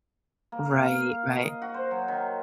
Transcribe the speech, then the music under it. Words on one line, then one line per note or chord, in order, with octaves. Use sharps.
Right, right.
A#3
F5
F5
D#5
F#4
C5
F#3
D#3